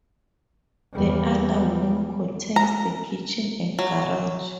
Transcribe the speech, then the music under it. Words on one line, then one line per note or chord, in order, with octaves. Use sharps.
The other wing contains the kitchen and garage.
E2 G3
A#5
F#3